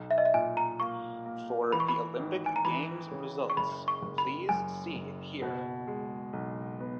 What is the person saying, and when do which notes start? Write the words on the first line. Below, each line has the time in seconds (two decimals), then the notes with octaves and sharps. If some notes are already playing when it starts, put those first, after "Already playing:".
For the Olympic Games results, please see here.
Already playing: B1
0.11 E5
0.18 D#5
0.25 E5
0.34 A#2 G#5
0.57 A#5
0.80 A#3 C#6
1.26 A#3
1.72 E3 B5
1.80 C#6
1.88 B5
2.19 G#1
2.46 G#5
2.56 A#5
2.65 E3 B5
3.11 C#3
3.50 C#6
3.57 F#1 B5
3.88 C#6
4.02 F#1
4.18 B5
4.49 F#2 G#5
4.96 F#1
5.42 B2
5.88 G#3
6.33 B1
6.80 B3